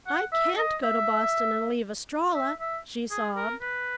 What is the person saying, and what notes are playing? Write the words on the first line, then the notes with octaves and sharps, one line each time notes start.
"I can't go to Boston and leave Estralla!" she sobbed.
F#5
E5
D#5
E5
E5
E5
G#4
A#4
B4